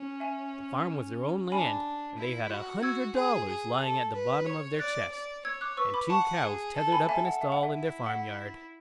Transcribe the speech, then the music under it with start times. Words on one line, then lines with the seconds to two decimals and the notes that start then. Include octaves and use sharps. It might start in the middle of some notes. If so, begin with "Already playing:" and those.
The farm was their own land, and they had a hundred dollars lying at the bottom of their chest, and two cows tethered up in a stall in their farm-yard.
Already playing: C#4
0.20 E5 G#5
1.51 D4 G#5 B5
2.18 E4
2.50 F#4
2.83 F#4 E6 G#6
3.16 G#4
3.48 G#4
3.81 A4
4.13 B4
4.46 C#5
4.79 D5 F#6 A6
5.12 D5
5.45 C#5 E6 G#6
5.61 D6 F#6
5.77 B4 C#6 E6
5.94 B5 D6
6.10 F#5 A5 C#6
6.42 G#4
6.75 A4
6.92 G#5 B5
7.08 A4 E5 G#5
7.25 F#5
7.41 E5
7.52 F#5
7.63 E5
7.75 E4
8.06 F#5